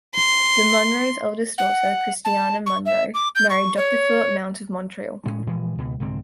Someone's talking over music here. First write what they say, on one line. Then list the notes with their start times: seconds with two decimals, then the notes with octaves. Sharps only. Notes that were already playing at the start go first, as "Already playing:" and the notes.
The Munro's eldest daughter, Christiana Munro, married Doctor Phillip Mount of Montreal.
0.15 C6
1.58 F#5
2.25 A5
2.66 C#6
2.86 E5
3.14 D6
3.35 G6
3.50 C#6
3.77 C#5
5.26 A2 G#3 C#4
5.47 A#2 E3 F3 G#3
5.78 C#2 B2
6.00 C2 G#2 D3 C4